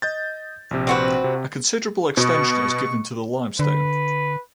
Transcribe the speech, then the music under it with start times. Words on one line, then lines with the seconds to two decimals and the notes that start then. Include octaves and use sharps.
A considerable extension is given to the limestone.
0.02 D#5 G6 A6
0.71 A#1 C3
0.87 C4 F#4 B4
1.24 C3
2.17 B2 C#6
3.59 D3 B4